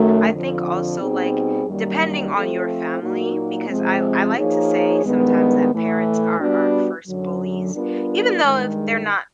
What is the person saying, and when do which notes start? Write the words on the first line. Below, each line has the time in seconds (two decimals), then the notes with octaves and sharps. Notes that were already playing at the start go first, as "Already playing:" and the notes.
I think also, like, depending on your family because I I like to say sometimes that parents are our first bullies, even though if they're not
Already playing: F#2 D#3 F#3 A3
0.32 F2 D3 F3
1.00 B2 G3 C4 D#4 G#4
1.67 F#2 D#3 G3 A#3
2.34 F3 A3 C4 F4 A4
3.02 A#2 F#3 A#3 D#4 F#4
3.69 C3 F3 G#3 C4
4.37 F3 A#3 D#4 G#4 C#5
5.04 G2 D#3 G#3 B3
5.71 A2 E3 A3
6.40 G3 B3 D4 F#4
7.07 F#2 D3 F#3
7.74 G3 B3 D4 F4 A#4
8.42 G2 D#3 G#3